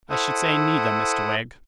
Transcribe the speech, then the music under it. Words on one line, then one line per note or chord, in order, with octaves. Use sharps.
'I should say neither, Mr Wegg.'
E4 A4 C5 F#5 D#6